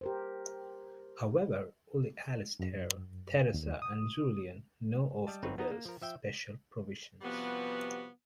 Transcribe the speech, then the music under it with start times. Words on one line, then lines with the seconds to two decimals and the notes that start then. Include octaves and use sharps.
However, only Alistair, Theresa, and Julian know of the will's special provisions.
0.01 G4 A#4 C5
2.59 F#2
3.54 D#2
3.82 D#6
5.27 G3 D#5 A5
5.43 G1 C4 D#4 B4 C#5
5.58 B3 D#4 D#5 A#5
5.72 A#3
5.85 F3 A#4
6.02 F3 E5 G5
7.22 C3 F3 G3 B3 F#4 B4